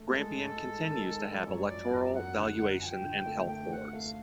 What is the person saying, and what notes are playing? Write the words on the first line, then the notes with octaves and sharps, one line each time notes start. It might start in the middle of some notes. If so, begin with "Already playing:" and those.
Grampian continues to have electoral, valuation, and Health boards.
Already playing: A3
G#3 A4 A#4
G#2
G#3
D#3
G#3
G#2
F#2 C#5 D5
F3 D5
F#2 D#5
D5
F#2 F#5
D3
F#2
F3 G5 G#5
D3
A3
A3 G5
A3 F#5
A3 F5